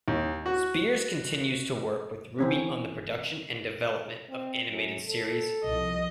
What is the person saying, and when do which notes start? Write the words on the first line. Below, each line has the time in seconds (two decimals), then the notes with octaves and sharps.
Spears continues to work with Ruby on the production and development of animated series.
0.08 D#2
0.46 F#4
2.39 E3 C4 C#4
4.29 C4
4.69 F#2
5.08 A4
5.65 C2 F3 D#5